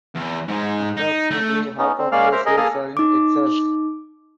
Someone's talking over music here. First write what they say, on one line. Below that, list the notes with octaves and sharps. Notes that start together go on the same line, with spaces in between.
Approximately half of their sales are in Texas.
E2
G#2 G#3
D#4
A3
B3 C#4 D#4
C4
G#3 A#3 C#4 D5 F5 F6
A#4 C5 E5 A#5
G#4 A#4 D#5
A#3 G#4 A4 D#6 F6
D#4 D6